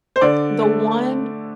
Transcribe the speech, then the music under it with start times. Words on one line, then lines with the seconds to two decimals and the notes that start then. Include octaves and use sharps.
the one
0.16 C5
0.21 D3 D5
0.62 A3